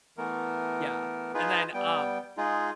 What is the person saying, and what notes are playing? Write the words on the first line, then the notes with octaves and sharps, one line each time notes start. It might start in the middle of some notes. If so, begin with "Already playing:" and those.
Yeah, and then, um
E3 A3 B3 A#4
D#4 F4 G#4 B4
G3 B3 G5
G#3 D#4 F4 G#4